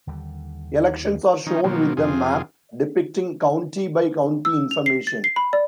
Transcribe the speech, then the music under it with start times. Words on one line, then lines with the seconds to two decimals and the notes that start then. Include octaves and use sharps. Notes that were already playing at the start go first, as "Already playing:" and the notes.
Elections are shown with a map depicting county-by-county information.
0.07 D#2 D3 G3
1.46 D#3 F3 C#4 D#4
1.64 B2 D#3 F3 F#3 A#3
1.97 F2 C3 F4 G#4
4.45 E6
4.71 F7
4.86 C7
5.07 A6
5.24 C7
5.36 B5
5.53 D5